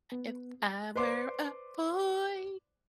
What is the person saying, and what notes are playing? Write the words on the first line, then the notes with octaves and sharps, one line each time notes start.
If I were a boy,
B3
B4 C5 D5 C6 D6